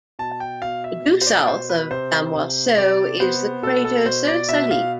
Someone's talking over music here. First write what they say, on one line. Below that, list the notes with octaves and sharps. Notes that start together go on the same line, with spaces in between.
Due south of Damoiseau is the crater Sirsalis.
B2 A5
G5
B2 F5
E5
B2
C5
D5
B2 C5
B4
C3 C5
C3
C3 D5
B3 C5
B2 A4
A4
B2 C5
D5
B2 E5
F5